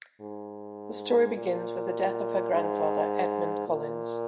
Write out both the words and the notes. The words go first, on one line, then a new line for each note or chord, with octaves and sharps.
The story begins with the death of her grandfather, Edmund Collins.
G#2
A#2
G#2
A#2